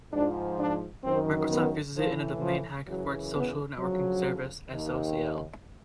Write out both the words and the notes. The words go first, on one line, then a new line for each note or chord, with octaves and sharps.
Microsoft uses it in a domain hack for its social networking service so.cl.
G#2 F3 D4
D4
F#2 D#3 C4
B3
A2 E3 F3
F3
F#2 C#3 E3 F#3
B3
D2 C#3 F3 F#3
D#2 D#3